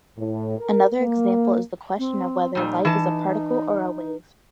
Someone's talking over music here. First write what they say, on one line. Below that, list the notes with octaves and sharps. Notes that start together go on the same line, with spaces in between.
Another example is the question of whether light is a particle or a wave.
A2
A#4
A#3
C4
A#2 G3 D#4
E3 A5